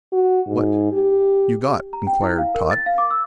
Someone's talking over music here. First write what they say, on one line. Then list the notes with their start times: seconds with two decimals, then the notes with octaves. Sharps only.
"What you got?" inquired Tot.
0.13 F#4
0.47 G#2
0.92 G4
1.93 A#5
2.07 G5
2.22 E4
2.38 F5
2.55 A#4
2.71 A6
2.86 F5
2.98 D6
3.11 E6